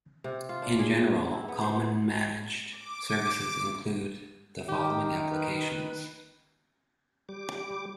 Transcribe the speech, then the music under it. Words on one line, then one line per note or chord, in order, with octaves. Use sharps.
In general, common managed services include the following applications.
C3
F4
D4
G#4
G#2
E4
B3
C5
B3
D6
D#3 G4
B4
G3 D6